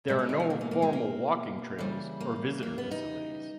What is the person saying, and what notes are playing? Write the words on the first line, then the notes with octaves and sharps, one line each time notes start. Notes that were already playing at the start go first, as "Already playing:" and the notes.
There are no formal walking trails or visitor facilities.
B2 G#3 B3
C#4
D#4
C#4
A#3
A#3
A#3
G#3
A#3
C#3 E3 G3
A#3
A#3
B3
D#4